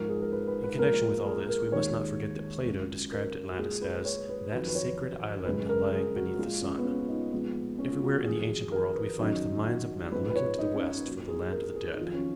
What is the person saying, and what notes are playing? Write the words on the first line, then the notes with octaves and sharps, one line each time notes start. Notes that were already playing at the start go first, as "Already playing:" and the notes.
In connection with all this we must not forget that Plato described Atlantis as "that sacred island lying beneath the sun." Everywhere in the ancient world we find the minds of men looking to the west for the land of the dead.
Already playing: G#2 F3 G#3 A#4
G#4
A#4
B4
B4
B4
A#2 F3 G#3 A#4
G#4
A#4
D#2 D#3 G#3 C#5
C#2 C#3 F#3
A#4
F#4
A#2 G#3 G#4
B4
C#5
B4
F2 D#3 F#3 B4
B4
C#5
F#2 C#3 G#3 B4
A#4
G#4
F#4
F#4
A#2 G#3 F4
C#4
B3
C#4
F4
D#4
A#2 F3 G#3 B3
C#4
F4
F#4
F2 D#3 F#3 G#4
A#4
B4
F#2 D#3 F#3 D#4
F#4
G#2 F3 G#3 B4
B4
C#5
D#4
C#4
D#4
A#2 F#3
G#4
A#4
G#4
D#4
F2 D#3 F#3 F4
C#4